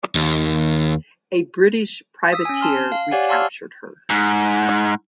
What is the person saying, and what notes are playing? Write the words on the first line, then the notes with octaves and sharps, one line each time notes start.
A British privateer recaptured her.
D#2
D#6 E6 B6
C#4 G#5
A5 C6 F6
F5
G4 C#5 D5 F#5 G#5
F5 A5 C6 C#6 E6 F6
G#2